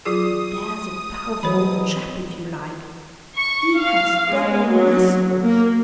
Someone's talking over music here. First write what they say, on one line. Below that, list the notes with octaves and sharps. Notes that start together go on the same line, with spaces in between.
"Now, there's a powerful chap if you like! he has double-muscles!"
F#3 F4 G#4 D#6
D2 B2 E3 F#3 C#5 B5
C#6
F5
G#3
F#3
A#3